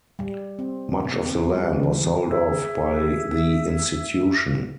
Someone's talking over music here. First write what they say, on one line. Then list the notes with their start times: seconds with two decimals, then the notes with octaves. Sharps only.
Much of the land was sold off by the institution.
0.19 G3
0.59 C4
1.04 B2
1.26 C4
1.55 G3
1.83 E3
2.30 G#4 E5